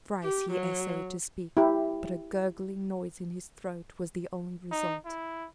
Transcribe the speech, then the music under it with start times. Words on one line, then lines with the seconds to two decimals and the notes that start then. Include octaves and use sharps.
Thrice he essayed to speak, but a gurgling noise in his throat was the only result.
0.22 G4
0.52 F#3
1.57 E4 G4
4.71 D#4
5.05 E4